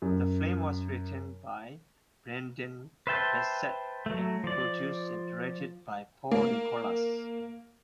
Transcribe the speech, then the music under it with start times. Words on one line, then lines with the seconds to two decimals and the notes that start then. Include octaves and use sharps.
The film was written by Brendan Beseth, and produced and directed by Paul Nicolas.
0.02 F#2
3.07 B4 C5 E5 G5 A5
4.06 F#3 A3
4.44 F3 D5
6.31 A#3